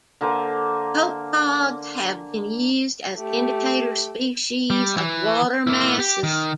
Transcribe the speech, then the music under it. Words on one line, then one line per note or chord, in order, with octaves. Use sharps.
Copepods have been used as indicator-species of water masses.
D3 A#3 C5 G#5
A3 G4
G3
E3
A#3 E4
G4
D#3